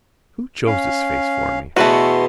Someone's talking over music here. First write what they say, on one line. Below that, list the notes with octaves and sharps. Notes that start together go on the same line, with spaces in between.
Who chose this face for me?
C#4 F5
E2 B2 A3 B3 F#4 C6